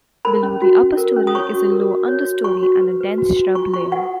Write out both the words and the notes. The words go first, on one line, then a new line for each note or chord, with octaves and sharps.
Below the upper story is a low understory and a dense shrub layer.
A#4 B5
C#4
F#4
C#4
A#4
C#4
D#6
C#5 C#6
F#4
A#4
F#4
C#5
F#4
F#4 C#6
F#4
B4
B4
F#4
F#4
F4 C#6
F4 C#6
B4 F#5